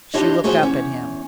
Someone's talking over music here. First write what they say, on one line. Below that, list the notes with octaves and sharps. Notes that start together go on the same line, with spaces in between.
She looked up at him.
D4 E4 F4 G4 C#5 D#5
F#4 G#4 C5 C#5 G#5
E2 C#4